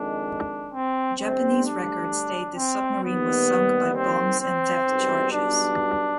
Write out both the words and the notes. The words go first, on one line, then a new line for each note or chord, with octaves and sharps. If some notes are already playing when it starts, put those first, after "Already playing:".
Japanese records state this submarine was sunk by bombs and depth charges.
Already playing: F2 D#3 G#3 D4
C4
D2 D3 G3 C4
D4
C4
D#2 D#3 G3 B3
C4
C4
B1 B2 G3
D4